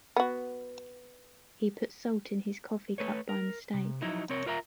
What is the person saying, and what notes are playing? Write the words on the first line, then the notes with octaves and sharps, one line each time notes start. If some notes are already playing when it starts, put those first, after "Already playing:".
He put salt in his coffee cup by mistake.
B3 F#4
A3 B4 C#5
A#4
C3
F3 F#3 D#4 E4
C2 C4 A#4 C#5
F4 A#4 E5 A#5